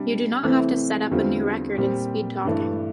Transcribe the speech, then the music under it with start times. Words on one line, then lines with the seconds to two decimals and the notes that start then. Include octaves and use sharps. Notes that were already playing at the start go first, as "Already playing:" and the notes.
You do not have to set up a new record in speed talking.
Already playing: C3 G3 D4
0.43 C2 C3 E3 A3 C4
1.11 E2 D3 G3 C4 F4
1.78 A#2 G3 C4 G4
2.45 G2 E3 A3 D4